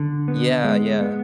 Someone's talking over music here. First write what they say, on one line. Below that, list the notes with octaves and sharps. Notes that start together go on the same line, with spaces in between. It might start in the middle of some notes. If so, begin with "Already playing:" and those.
Yeah, yeah.
Already playing: D3
B3
G#3
B3